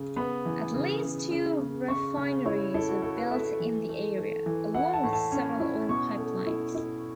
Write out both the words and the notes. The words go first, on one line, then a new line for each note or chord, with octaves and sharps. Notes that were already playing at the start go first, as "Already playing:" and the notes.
At least two refineries were built in the area, along with several oil pipelines.
Already playing: C#3
B3 B5
E3
C#3
C#3
C#3
C#3
C#3 C#6
C#3
E4 C#5
E4 A4
F#4
A3 A4
B4
A3 E5
E3
A3
A3
E3
E4 F#5
A5
A2
A5
C#4
E4
B2 C#6
A3
E4
E4